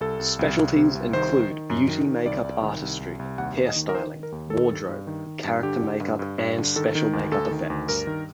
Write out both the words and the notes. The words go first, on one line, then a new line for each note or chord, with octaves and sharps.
Specialties include beauty make-up artistry, hairstyling, wardrobe, character make-up and special make-up effects.
C2 A4
C2
C2
C2
C3
C2
D#3 C5
D#3
D#3
F#2
D#3
D#3
C2 D5
C2
D#3
C2
C2
C2
D#2 F#5
D#2
D#5
D#3
A#4
D#3 C5
D#3
A#4
D#2
D#3 A4
G2
G2
D#3
D#3
G2
D3 G4
D3
G2
G2
G2
D3
D#3 A4
D#3
D2
D2 A4
D#3
D2
G2 A#4
D#3